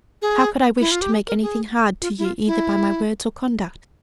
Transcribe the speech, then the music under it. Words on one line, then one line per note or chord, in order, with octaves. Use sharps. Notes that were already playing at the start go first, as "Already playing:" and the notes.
How could I wish to make anything hard to you either by my words or conduct?
G#4
E4
F4
G4
G#4
A#4
G#4
F4
E4
F4
E4